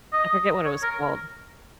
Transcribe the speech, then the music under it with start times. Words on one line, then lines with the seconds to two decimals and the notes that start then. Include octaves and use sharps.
I forget what it was called.
0.13 D#5
0.65 C#5
0.83 A#4